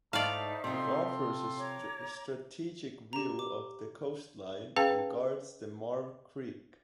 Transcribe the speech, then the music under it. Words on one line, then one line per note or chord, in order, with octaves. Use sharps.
It offers a strategic view of the coastline and guards the Marve Creek.
G#2 A3 D#4 C5 D5 E5 F5 A5
C3 F3 A4 C6
C#5 A#5 D6
G4 A#5
D6
C#4 G#4 B4 F5 G5 A5